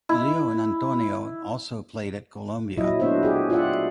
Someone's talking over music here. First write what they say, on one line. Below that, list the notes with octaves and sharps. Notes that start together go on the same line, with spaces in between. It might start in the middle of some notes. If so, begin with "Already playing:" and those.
Leo and Antonio also played at Columbia.
E4
A#2 F#3 E4 D#5 E5
A3 B3 D4 F#4 C5 E5
G4 G#4
F4 G4 D5 E5 F#5